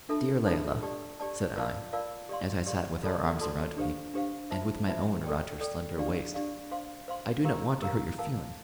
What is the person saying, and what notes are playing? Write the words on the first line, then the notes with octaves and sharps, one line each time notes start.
"Dear Layelah," said I, as I sat with her arms around me, and with my own around her slender waist, "I do not want to hurt your feelings."
D4 F4 A4 E5 A5
D4 F4 A4 E5 A5
G4 D5 A5
G4 D5 A5
F4 A#4 D5 F5 A5
F4 A#4 D5 F5 A5
G4 D5 F5 C6
G4 D5 F5 C6
F4 A4 D5 A5 C6
F4 A4 D5 A5 C6
D4 G4 C5 F5
D4 G4 C5 F5
F4 C5 E5 A5
F4 C5 E5 A5
A4 D5 G5
A4 D5 G5
D4 G4 D5 F5
D4 G4 D5 F5
C5 F5 C6
C5 F5 C6
G4 A#4 F5 A#5
G4 A#4 F5 A#5
A#4 F5 A5